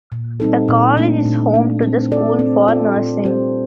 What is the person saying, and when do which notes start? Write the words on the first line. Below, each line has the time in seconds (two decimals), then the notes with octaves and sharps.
The college is home to the School for Nursing.
0.12 A#2
0.40 G3 C4 D#4 A4
0.68 A#2
0.97 A3 D4
1.26 A#2
1.54 A3 D4
1.82 C4
2.11 F4 A4 D5
2.39 C4
2.68 F4 A4 D5
2.96 A#2
3.25 G3 C4 G4 C5